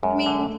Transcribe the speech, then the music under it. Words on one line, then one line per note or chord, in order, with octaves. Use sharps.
I mean,
F#2 G#3
D3
A3